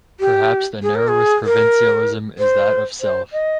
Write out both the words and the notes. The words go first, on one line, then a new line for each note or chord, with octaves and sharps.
Perhaps the narrowest provincialism is that of self.
G4
G#4
A#4
G#4
A#4
C5
C5
D#5